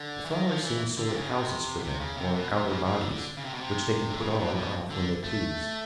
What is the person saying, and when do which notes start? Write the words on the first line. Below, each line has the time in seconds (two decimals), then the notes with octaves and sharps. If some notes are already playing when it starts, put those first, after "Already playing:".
The flowers seem a sort of houses for them, or outer bodies, which they can put on or off when they please.
Already playing: D3
0.26 E3
0.30 D#3
0.47 F3
0.64 E3
0.97 D3
1.08 C3
1.15 C#3
1.31 C3
1.79 B2
1.83 C3
2.00 C#3
2.17 C3
2.34 B2
2.52 C3
2.68 C#3
2.85 C#3
2.98 D3
3.11 D3
3.37 C#3
3.45 C3
3.53 B2
3.61 C3
4.10 D3
4.19 C#3
4.30 C3
4.39 B2
4.56 B2
4.90 D3
5.24 A3